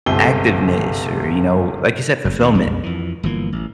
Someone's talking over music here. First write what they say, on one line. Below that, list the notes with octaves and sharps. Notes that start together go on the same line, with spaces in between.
activeness or, you know, like you said, fulfillment,
G1 C#2 C3 A4 G7
F#1
D#2 C#3
B1 F2 G#3
F2 E3
G1 E3 F3 A#3
A1